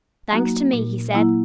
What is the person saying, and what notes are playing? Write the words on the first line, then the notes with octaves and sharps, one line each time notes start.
"Thanks to me," he said.
F#3 A#3 D#4 F#4
A#2
F#3 A#3 E4